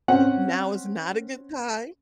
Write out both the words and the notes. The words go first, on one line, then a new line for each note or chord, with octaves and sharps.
now is not a good time"
C4 C#4 F#5